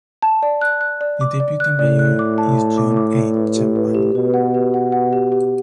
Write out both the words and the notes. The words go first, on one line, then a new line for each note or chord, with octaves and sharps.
The deputy mayor is John H. Champagne.
A5
D5
F#6
F#6
D5
D6
D5
F#6
A2 D5
F#6
D6
A5
A5
D6
D6
D5
B4
G4
B4
G4
B2 B4
F#5
G4
F#5
F#5
G4
G4